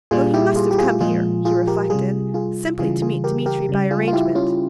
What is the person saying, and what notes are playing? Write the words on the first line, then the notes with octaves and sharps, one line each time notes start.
So he must have come here, he reflected, simply to meet Dmitri by arrangement.
A#2 G3 F4 G#4
E4 G4
F4 G#4
G4
F4 G#4
A#2 F3 G#3 F4 G#4
F4 G#4
G4 A#4
C3 G3 F4 G#4
F4 G#4
C#3 E3 G3 F4 G#4
F4 G#4
G4 A#4
G4 A#4
C#3 G3
F4 G#4
F4
E4 G4
C#4 F4